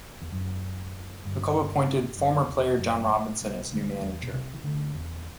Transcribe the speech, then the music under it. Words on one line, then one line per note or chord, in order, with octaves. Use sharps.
The club appointed former player Jon Robinson as new manager.
E2
F#2
G1 G2
F#2
E2
F#2
G2
A1 A2
B1 B2
D2 D3
E2 E3
B2
C2 C3
E3
D2 D3
E2